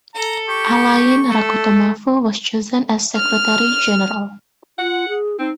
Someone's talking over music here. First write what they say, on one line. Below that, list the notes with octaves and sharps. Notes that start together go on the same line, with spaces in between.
Alain Rakotomavo was chosen as Secretary-General.
A4 A#5
G4 C#6
A3 A4
F6
F4 F#5
G#4
C4 D#4